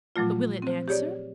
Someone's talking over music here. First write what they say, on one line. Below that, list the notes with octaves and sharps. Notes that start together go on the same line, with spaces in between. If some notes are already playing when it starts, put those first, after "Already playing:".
But will it answer?
A#2 F3 F#3 A3 F4
C4 C5
G4 G#4 C#5 D5